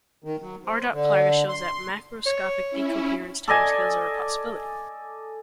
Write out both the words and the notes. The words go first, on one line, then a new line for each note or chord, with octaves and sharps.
R. Plaga shows that macroscopic decoherence timescales are a possibility.
D#3
F#3
C4
D3
C6
C#5
C#4 E4
A4 D5 D#5 G#5